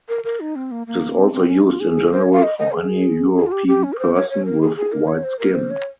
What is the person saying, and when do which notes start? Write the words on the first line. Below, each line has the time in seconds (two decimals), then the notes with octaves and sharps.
It is also used in general for any European person with white skin.
0.09 A#4
0.24 A#4
0.40 D#4
0.56 C4
0.71 A#3
0.87 A#3
1.18 C4
1.33 C4
1.50 C#4
1.60 D#4
1.70 F4
1.80 G#4
2.12 C5
2.22 C#5
2.32 F5
2.43 D#5
2.58 D#5
2.74 G#4
3.37 G#4
3.46 F4
3.52 G4
3.68 G4
3.84 C#4
3.93 A#4
3.99 C5
4.15 C#5
4.30 C#5
4.45 A#4
4.62 G#4
4.77 G#4
4.92 A#4
5.07 C#5
5.23 C5
5.39 A#4
5.55 C5
5.70 C#5